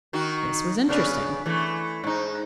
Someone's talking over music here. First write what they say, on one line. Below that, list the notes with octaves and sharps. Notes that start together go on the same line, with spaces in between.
This was interesting.
D#3 D#4 F#4
C#3 B3 D4
E3 A3
G#2 D#4